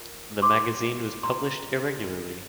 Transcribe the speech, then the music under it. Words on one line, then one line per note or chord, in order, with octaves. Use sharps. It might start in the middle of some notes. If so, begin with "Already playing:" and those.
The magazine was published irregularly.
Already playing: F4 A#4
C6 D6
A#5 C6